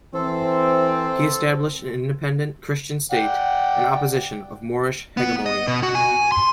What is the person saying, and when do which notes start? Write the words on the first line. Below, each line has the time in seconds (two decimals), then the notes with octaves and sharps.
He established an independent Christian state in opposition to Moorish hegemony.
0.14 E3 C4 A4 C5
3.12 D5 F#5 G5
5.17 B3
5.46 D#5
5.67 B2
5.83 F#4
5.95 G#5
6.32 C6